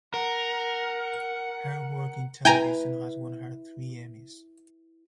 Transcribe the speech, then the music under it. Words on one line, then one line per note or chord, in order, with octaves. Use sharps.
Her work in television has won her three Emmys.
A#4 F#5
E4 B4 G5 G#5 A#5